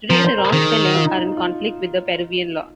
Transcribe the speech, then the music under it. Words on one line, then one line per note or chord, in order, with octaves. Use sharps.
Today the wrong spellings are in conflict with the Peruvian law.
F3 A#4
C5
A#4
D#3 G#4
F#4
F4
D#4
D#4
D#4
F4